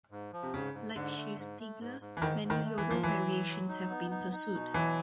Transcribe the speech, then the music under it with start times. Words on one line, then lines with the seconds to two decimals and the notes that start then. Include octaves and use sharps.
Like Schiefspieglers, many Yolo variations have been pursued.
0.11 G#2
0.33 F3
0.43 C3
0.53 G#2 C#3
0.74 G#2
0.96 G#2 D3
1.17 A3
1.38 G#2
1.59 A3
1.80 G#2
2.01 G#2
2.17 E3
2.22 G#2 D#3
2.43 G#2
2.50 D#3
2.64 A3
2.78 E3
2.85 G#2
2.90 F3
3.03 E3 F#3
3.27 F#3
3.48 F#3
3.69 D#4
3.90 B3
4.11 D#4
4.32 D#4
4.53 B2
4.73 E3 F#3